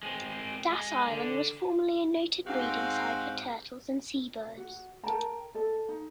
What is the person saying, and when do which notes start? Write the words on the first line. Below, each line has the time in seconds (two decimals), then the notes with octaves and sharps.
Das Island was formerly a noted breeding site for turtles and seabirds.
0.03 G#3 C4
0.70 G#3
1.07 D3
2.47 G#2 C4 F#4 G4 F5 G5
4.57 F#4
5.04 A#4 G5 A5 A#5
5.55 A4 D#5
5.89 D#4